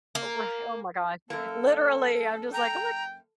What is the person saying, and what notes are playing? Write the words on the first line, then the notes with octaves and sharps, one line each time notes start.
Oh righ oh my god, literally! I'm just like, "Oh my
A#3
F#2 A#3 A4
G5 A#5